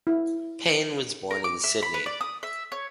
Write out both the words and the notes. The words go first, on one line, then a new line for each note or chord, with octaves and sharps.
Payne was born in Sydney.
E4
A#4
D6
E5
B5
B4
D5
D#6
E5
C#5